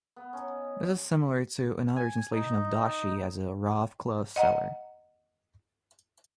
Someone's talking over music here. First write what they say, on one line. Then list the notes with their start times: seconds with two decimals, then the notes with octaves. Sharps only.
This is similar to another translation of "doshi" as a rough cloth seller.
0.16 B3
0.33 C#4 D#4
1.96 G#5
2.31 D#4
4.36 D#5 F#5 A#5